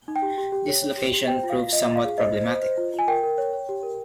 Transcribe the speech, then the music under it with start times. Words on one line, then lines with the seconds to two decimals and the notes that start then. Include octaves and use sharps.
This location proved somewhat problematic.
0.08 D#4
0.16 G5
0.22 G4
0.38 G4
0.52 G4
0.68 C#5
0.83 C#5
0.97 G4
1.13 G4
1.28 C5 G5
1.43 F4
1.50 F5
1.58 F4
1.73 F4 D#5
1.87 F4
1.96 F5
2.04 G#4
2.18 C5 D#5
2.33 C5
2.48 C5
2.63 C5
2.77 F4
2.94 F4 G#5
3.08 A#4 G5
3.23 A#4
3.38 C#5
3.53 C#5
3.69 G4
3.83 A#4